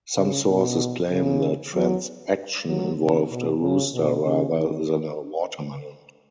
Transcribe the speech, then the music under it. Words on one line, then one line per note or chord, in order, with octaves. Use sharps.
Some sources claim the transaction involved a rooster rather than a watermelon.
C#3
B2
C#3
F#3
F#3
C#3
B2
C#3
B2
C#3
D#3